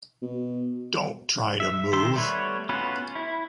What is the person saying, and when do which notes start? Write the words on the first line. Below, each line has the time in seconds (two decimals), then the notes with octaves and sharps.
Don’t try to move.
0.22 B2
1.60 E5
1.93 D#3 G4 E5 C6
2.15 G3 A3 B3 B4 C#5
2.69 B3 C#4 F4 F#4 B4
3.15 E4